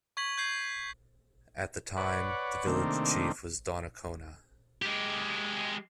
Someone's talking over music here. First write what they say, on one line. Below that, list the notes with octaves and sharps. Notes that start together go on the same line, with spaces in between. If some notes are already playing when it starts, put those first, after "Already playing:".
At the time, the village chief was Donnacona.
C#6 G#6 B6 F#7
G6 G#6 C7 F#7
B4 C#5 D5 F#5
C3 D#3 A3 A#3 C4 D4
G#3 G4